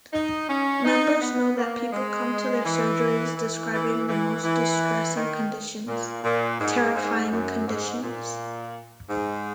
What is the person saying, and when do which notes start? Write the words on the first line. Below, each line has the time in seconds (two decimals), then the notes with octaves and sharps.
Members know that people come to their surgeries describing the most distressing conditions-terrifying conditions.
0.13 D#4
0.49 C#4
0.85 D#4
1.21 B3
1.56 A#3
1.92 G#3
2.64 E3
3.36 E3
3.72 E3
4.08 E3
4.43 E3
5.15 D#3
5.87 A#2
6.23 A#2
6.59 G#2
6.94 G#2
7.30 F#2
7.66 G#2
8.02 A#2
9.10 G#2